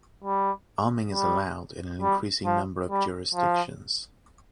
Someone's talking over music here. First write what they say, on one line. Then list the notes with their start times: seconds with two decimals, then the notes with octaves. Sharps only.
Arming is allowed in an increasing number of jurisdictions.
0.24 G3
1.13 G3
2.02 G3
2.46 F3
2.90 G3
3.35 F3